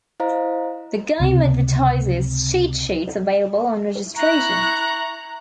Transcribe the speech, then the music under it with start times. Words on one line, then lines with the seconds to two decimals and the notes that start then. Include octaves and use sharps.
The game advertises cheat sheets available on registration.
0.20 E4 C5 D#5 F5 A#5
1.20 C#2 C3 C4
4.16 E4 A#5 C#6 F#6